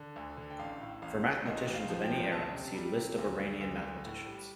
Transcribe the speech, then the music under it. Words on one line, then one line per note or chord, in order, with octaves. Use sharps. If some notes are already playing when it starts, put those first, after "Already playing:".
For mathematicians of any era, see List of Iranian mathematicians.
Already playing: D3
D2
D3
G5
A1 F5
A2
A1 F5
A2
A1 D#5
A1
F5
F3
G5
A1
D2 A5
C3
G3
C3
D2
D2
D2
D2
A2
G3